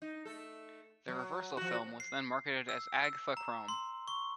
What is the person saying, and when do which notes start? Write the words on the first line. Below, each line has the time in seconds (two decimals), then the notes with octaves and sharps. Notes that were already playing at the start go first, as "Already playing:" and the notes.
The reversal film was then marketed as Agfachrome.
0.02 D#4
0.25 A3 A4
1.08 F#3
1.57 F3 F#4
2.00 C7
2.69 E6
3.04 E6
3.37 A#5
3.68 C6
4.08 C#6